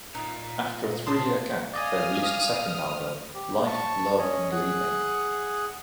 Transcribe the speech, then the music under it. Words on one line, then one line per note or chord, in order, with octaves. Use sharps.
After a three-year gap, they released a second album, "Life, Love and Leaving".
A#2 D#4
D#5 A5 C6 D#6
D5 D#5 F5 G#5 D#6 F6
G4
A5 C#6
C#4 C#5 D#5
G#4 F#5